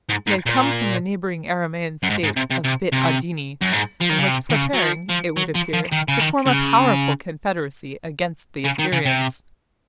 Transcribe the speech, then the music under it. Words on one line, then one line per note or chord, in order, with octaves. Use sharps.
He had come from the neighbouring Aramaean State of Bit-Adini, and was preparing, it would appear, to form a powerful confederacy against the Assyrians.
G#2
G#2
A#2
F#2
G#2
G#2
C3
C3
C3
C3
F#2
G#2
F3
D#3
C#3
C3
D#3
C#3
F#3
F3
F3
F#3
F3
F3
D#3
C#3
D#3
C#3
C#3
D#3
C#3
C3